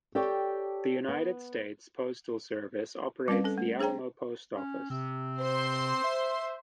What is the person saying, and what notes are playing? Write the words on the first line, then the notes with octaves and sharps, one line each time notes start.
The United States Postal Service operates the Alamo Post Office.
G4 A4 C#5 D5 G5
B3
G3 C4 C#4 B4 F5
C#4 A4
A3
D4 G#4 C5 G5 A#5
C#4
C3 C4
C5 C6
E5